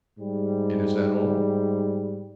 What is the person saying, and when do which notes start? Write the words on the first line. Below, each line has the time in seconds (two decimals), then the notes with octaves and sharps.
"And is that all?"
0.19 G#2 G3